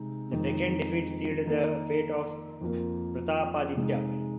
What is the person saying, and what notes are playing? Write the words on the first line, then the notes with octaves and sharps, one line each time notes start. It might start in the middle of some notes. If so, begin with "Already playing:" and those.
The second defeat sealed the fate of Pratapaditya.
Already playing: C3 G#3 C4 D#4
F2 D#3 G#3 D#4
D#3 A#3 D#4
F2 F3 A#3
C3 G#3 D#4